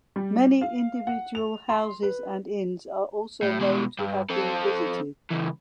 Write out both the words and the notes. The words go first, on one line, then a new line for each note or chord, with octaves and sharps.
Many individual houses and inns are also known to have been visited.
G3
F5
F#5
F7
C6
B4
A2
B2 G#3
G2
C4 A4
C#2 E3